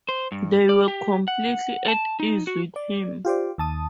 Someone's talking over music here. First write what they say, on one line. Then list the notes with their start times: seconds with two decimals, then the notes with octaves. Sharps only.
They were completely at ease with him.
0.09 C5
0.32 G2
0.69 D5
0.88 G4
1.28 F#5
1.88 A5
2.20 D#4
2.47 F#4
2.76 D5
3.25 F4 G4 C5 D5
3.58 D#2 A5 D#6